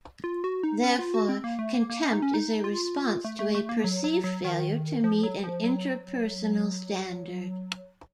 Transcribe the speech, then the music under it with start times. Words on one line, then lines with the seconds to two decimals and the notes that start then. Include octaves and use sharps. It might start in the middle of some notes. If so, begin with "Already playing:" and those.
Therefore, contempt is a response to a perceived failure to meet an interpersonal standard.
0.24 F4
0.44 F#4
0.63 D#4
0.83 C#4
0.99 F4
1.14 F#4
1.29 C4
1.44 A#3
1.59 A3
1.74 A#3
1.90 A#3
2.04 C#4
2.13 D#4
2.22 C#4
2.34 D#4
2.64 F4
3.25 A3
3.39 A3
3.55 A3
3.69 A#3
3.84 F#3
4.04 F#3
4.24 F#3
4.44 D#3
5.04 F3
5.23 F#3
5.44 F3
5.64 F#3